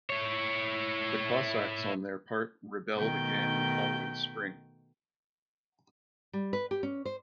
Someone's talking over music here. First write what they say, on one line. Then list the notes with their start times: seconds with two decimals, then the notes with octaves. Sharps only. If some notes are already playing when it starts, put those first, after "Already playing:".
The Cossacks on their part rebelled again the following spring.
0.10 E4 C#5
2.97 B2 D#3 A3 G5 G6
6.33 G3
6.53 B4
6.71 G4
6.83 C#4
7.05 C5